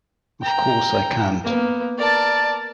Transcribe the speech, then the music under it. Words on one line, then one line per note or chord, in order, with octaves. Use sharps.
Of course I can't.
G5 A#5
A#3 B3
A#4 D5 A5